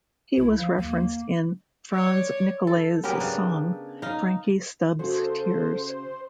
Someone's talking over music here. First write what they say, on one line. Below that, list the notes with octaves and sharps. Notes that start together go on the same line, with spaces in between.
He was referenced in Franz Nicolay's song 'Frankie Stubbs Tears'.
C#2 E4
F3 F5
D#2 A#3
C#5 D5
A4
B3 C#4 G4 A#4
C#3 D4
D#4 F5
C#3 F#4 A4 C5